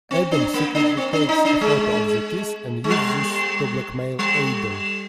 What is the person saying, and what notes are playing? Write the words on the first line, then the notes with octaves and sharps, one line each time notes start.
Adam secretly takes a photo of the kiss, and uses this to blackmail Aidan.
C4
D4
A#3
D4
C4
D4
D#4
D4
G#3
G#3
G3
G3